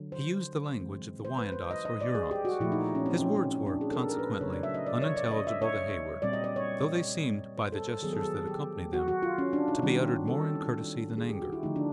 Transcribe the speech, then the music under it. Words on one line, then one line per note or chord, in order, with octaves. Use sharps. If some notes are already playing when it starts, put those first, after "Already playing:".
He used the language of the Wyandots, or Hurons; his words were, consequently, unintelligible to Heyward, though they seemed, by the gestures that accompanied them, to be uttered more in courtesy than anger.
Already playing: D3 F#3
C5
E3 G#3 C4
C5
B4
C5
D#5
D#5
D5
G#4
G4
F#4
A#2 F3 A3 E4
D#4
C#4
C4
C#4
C#4
C#4
D4
G#4
A4
A#4
A#4
B4
C#3 F#3 A3 C#5
D5
E5
D#5
D5
C#5
D5
D#5
E5
C#5
A#2 G3 C4 D5
D#5
D5
C#5
C5
A4
A4
D#3 F#3 B3 G#4
A4
G#4
G4
F#4
F#4
F4
C#4
D4
D#4
D#3 G3 C4
A4
G#4
G4
F#4
E4
D3 F3 A3 D#4
D4